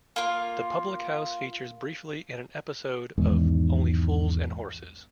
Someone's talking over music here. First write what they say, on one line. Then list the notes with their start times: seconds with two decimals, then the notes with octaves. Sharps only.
The public house features briefly in an episode of "Only Fools And Horses".
0.16 A#3 F4
3.18 B1 E2 G#2 D#3